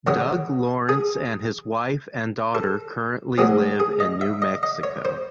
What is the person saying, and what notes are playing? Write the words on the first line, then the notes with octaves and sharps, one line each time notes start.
Doug Lawrence and his wife and daughter currently live in New Mexico.
E2 C#3 F#3 C#5
G#4
A4
A2 F#3 C4 G#4
G#4
D#5
E5
D#5
D#5
C#5
C5